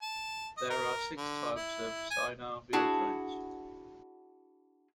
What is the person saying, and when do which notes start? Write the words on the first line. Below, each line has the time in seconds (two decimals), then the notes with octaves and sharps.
There are six types of synovial joints.
0.02 A5
0.58 D#5
0.70 A#4
1.17 D3
1.56 E4
2.10 G#5
2.73 D4 E4 F#4 G#4 A5